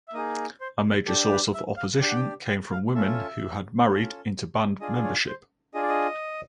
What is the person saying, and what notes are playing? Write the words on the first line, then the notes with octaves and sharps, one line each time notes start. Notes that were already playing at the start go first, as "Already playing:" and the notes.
A major source of opposition came from women who had married into band membership.
E5
A#3 D#4 G#4 D#5
C5
D4 G4 A4
B4
E5
F5
D4 G4 G5
F#5
G5
G5
F5
C#4 F4 A4 E5
C#4 F4 A4
D4 F4 G#4 D#5
C#5
C5
D4 F4 G#4 D#5
D5
D#5